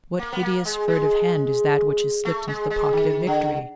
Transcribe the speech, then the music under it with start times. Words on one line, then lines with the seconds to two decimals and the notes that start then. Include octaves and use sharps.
What hideous, furtive hand is that which is slipped into the pocket of victory?
0.19 A#3
0.32 B3
0.43 A#3
0.65 G#3
0.88 G#3
2.25 A3
2.48 G#3
2.70 G#3
2.93 D#3
3.27 D3